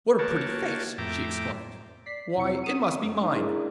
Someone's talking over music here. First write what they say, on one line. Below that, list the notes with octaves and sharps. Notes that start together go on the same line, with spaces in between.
'What a pretty face!' she exclaimed, 'Why, it must be mine!
A#3 F#4 G4 C#5 A5
F2 A2 E5 G5 A#5 D6
D5 B6 C7
F2 C3 C4 E4 C#7
C4 D#6 D#7
F#2 A3
D#4
D4 E4 G#4 A#4 D5